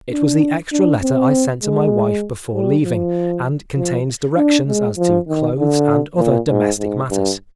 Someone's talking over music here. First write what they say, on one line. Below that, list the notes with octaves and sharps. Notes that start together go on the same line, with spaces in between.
It was the extra letter I sent to my wife before leaving, and contains directions as to clothes and other domestic matters.
D4
D4
C4
G#3
G3
F3
F3
D4
G#3
F3
D#3
D3
A#2
G#2
G#2
G2